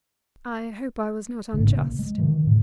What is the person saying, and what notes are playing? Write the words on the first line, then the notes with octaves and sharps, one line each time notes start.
"I hope I was not unjust."
A1 G#2 D3
A#1 C#3 A#3
G#3
D3 D#3 F3
A2 D3